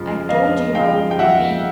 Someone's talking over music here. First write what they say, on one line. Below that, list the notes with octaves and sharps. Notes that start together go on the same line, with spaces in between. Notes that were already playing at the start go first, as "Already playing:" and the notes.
I told you how it would be.
Already playing: F2 C#3 F3 G#3
F2 D#5 F5
C#3 F3 G#3 F5 G5
G5
F2 E5 F#5